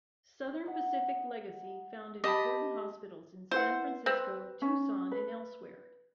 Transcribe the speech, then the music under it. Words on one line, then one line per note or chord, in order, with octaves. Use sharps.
Southern Pacific legacy founded important hospitals in San Francisco, Tucson, and elsewhere.
D#4 F#5
G4 D#5 A5 B5
E4 B4 C5 F#5
C4 B4
C#4
B4